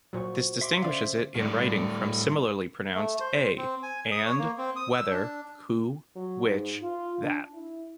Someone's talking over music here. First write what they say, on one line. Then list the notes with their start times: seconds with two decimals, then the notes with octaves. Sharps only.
This distinguishes it in writing from similarly pronounced "a" "and; whether; who, which, that".
0.13 A#2 F#3 F#4 C5 C#6
0.61 E5 C6 D6
0.82 D3 C#4 C5 D5 F5
1.36 A2 D3 G3
2.95 A3
3.20 C5
3.57 C4
3.83 G#5
4.12 D#6
4.26 C#5
4.38 A#3
4.58 C4
4.76 D#6
4.93 E6
5.11 D4
6.16 F#3
6.46 G#2
6.82 F4
7.22 D4
7.54 E4